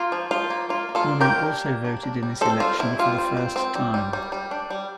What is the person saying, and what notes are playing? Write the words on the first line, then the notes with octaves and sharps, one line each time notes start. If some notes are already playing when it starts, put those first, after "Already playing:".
Women also voted in this election for the first time.
Already playing: A#3 F4
F3
F3 F4
A#3
A#3 F4
A#3
F4 A4
D4
G4 A#4
A#3
D4
A#3
D4
D4
G3
C4 A4 C5
G3 F4
C4 E4
G3 F4
C4
C4
C4
G3
G3
G3
G3
D4
G3